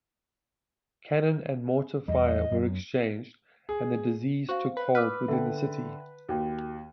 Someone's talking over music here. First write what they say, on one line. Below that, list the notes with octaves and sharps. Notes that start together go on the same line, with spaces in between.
Cannon and mortar fire were exchanged, and disease took hold within the city.
E2 G3 D#5
F#2
G#4
F#4 C5 F5
B4
B4 D6 E6 F6
D3 E5 G5
D#2 F#4 G5